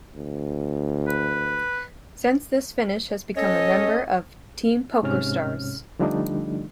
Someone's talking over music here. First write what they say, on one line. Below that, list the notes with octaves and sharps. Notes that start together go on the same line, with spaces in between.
Since this finish has become a member of Team PokerStars.
D2
B4
C#4 A4 C#5 D#5
G#2 C3 C#4 F6
D3 F3 G3 A3 D4 D#4